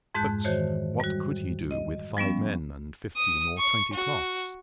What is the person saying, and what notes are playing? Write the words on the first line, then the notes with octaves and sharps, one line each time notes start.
But what could he do, with five men and fifteen or twenty cloths?
F2 G#2 G#3 A5 F#6 G6
D#3 E3 F#4 C5 C#5
G3 F#4
D#5
F3 G3 B3 C#4
D#6
C#6
F#4